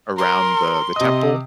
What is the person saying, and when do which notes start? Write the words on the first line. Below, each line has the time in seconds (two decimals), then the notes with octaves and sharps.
around the the temple,
0.18 A#4 C6
0.96 C3 D#5 D#6